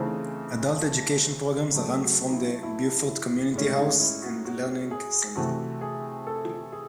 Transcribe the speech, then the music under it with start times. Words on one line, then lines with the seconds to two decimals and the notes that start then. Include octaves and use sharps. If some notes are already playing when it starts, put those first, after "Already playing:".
Adult education programs are run from the Beaufort Community House and Learning Centre.
Already playing: C#3 E3 A3 C4 D#4
1.72 C#3 F#3 A3
2.02 F#4
2.28 D#4
2.33 E4
2.63 E4
3.08 E4
3.54 A2 G#3 C#4
3.77 D#4
3.99 E4
4.22 F#4
4.45 F#4
4.91 G#4
5.36 C3 E3 A3 C4 F#4
5.81 G#4
6.27 A4
6.72 G#4